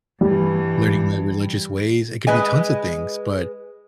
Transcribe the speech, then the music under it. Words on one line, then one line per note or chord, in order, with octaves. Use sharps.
learning my religious ways, it could be tons of things, but
G2 E3 G3
G#3 B4 D#5 G#5